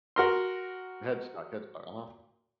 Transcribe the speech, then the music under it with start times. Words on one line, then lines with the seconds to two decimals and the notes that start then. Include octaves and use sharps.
Headstock Headstock, uh-huh.
0.16 F#4 A#4 C6